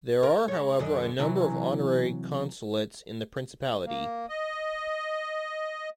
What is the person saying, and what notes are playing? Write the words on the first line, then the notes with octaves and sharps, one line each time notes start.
There are, however, a number of honorary consulates in the principality.
A#4
G#3 C#5
F#2 D3 D#5
C3 E3 F#3
A#3
D#5